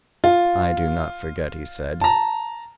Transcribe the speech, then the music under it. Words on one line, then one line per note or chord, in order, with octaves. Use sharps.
"I do not forget," he said.
F4
A5 A#5